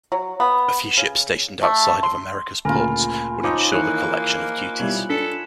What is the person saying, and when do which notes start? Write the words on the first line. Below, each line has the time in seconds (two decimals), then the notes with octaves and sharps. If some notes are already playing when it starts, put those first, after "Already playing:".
A few ships stationed outside of Americas ports would ensure the collection of duties.
0.12 F#3
0.40 B3
0.97 C#3
1.63 A3
2.03 C6
2.65 D2 A#2 C#3 F4 A#4 G#5 B5
3.43 F3 C#4 D#4 D6
3.72 D#3 E3 A#3 C#5 F#6 C#7
4.79 B2 G3 E4 C#5 F#7
5.10 D4 A4 B6 C#7 E7